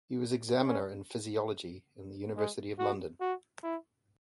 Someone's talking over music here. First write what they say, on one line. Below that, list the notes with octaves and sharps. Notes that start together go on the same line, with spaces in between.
He was examiner in physiology in the University of London.
C#4
G#3
F#4
F#4
E4